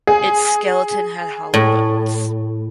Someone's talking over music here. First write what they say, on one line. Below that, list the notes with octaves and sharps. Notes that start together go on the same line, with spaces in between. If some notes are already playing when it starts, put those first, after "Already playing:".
Its skeleton had hollow bones.
G#4
A2